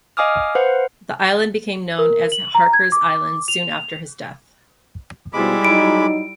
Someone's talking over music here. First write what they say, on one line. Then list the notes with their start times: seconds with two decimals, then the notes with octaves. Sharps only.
The island became known as Harkers Island soon after his death.
0.17 D#5 F5 G#5 D6 D#6 F6
0.55 B4 C5 F5 F#5
1.98 A#4
2.32 F#7
2.55 A#5
2.73 G#6
2.92 D6
3.48 F7
5.33 B2 F3 G3 G#3 D#4 E4 B5 D6
5.65 F#3 D#4 D7